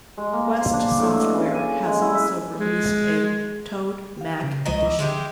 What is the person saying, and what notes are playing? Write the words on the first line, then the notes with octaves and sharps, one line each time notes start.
Quest Software has also released a Toad Mac Edition.
G#3
A#3
C5
D4
A2
B2
C#3
G#5
G#3
E4
E5
G#3
G4 F5
C#3
C#2 B2 G#3 D#5 A#5
A#5 D6 E6
D3 G#3 E4 G4